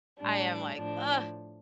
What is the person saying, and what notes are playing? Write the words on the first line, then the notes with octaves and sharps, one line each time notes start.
I am like, "Ugh."
A2 G3 D4
A2 F3 D4